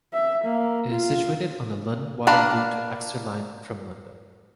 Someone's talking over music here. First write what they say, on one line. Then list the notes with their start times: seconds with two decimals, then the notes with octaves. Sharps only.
It is situated on the London Waterloo to Exeter line, from London.
0.14 E5
0.45 A#3
0.91 F4
2.27 A#3 D4 A#4 B5